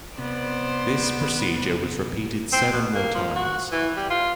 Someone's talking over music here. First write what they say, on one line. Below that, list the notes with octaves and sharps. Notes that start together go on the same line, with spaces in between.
This procedure was repeated seven more times.
C3 B3 C5 D5
C4
B2
A#3
F3
F#4
E3
G3
F4